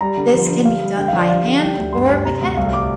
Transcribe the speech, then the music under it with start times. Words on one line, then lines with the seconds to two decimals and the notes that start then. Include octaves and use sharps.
This can be done by hand or mechanically.
0.01 G3 A#5
0.17 D3
0.33 F3
0.49 D3
0.65 G3 F5
0.81 G3
0.97 D3 G5
1.08 F3 F5
1.19 D5
1.29 G3 F5
1.46 D3
1.61 G3 G5
1.77 D2
1.93 G2 C6
2.09 G2
2.25 C3 A#5
2.41 D2
2.57 C2 F5
2.73 D6